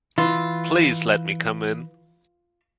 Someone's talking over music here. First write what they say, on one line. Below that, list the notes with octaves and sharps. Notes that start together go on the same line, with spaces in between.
Please let me come in.
E3 F4